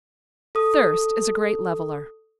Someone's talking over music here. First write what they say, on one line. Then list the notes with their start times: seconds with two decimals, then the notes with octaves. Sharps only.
Thirst is a great leveller.
0.55 A4 D#6